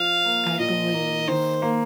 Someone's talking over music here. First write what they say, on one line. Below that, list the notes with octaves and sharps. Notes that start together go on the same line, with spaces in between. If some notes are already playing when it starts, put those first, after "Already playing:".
I believe,
Already playing: F3 F5
A#3
A#2 D#5
A#3
D#3 C5
A#3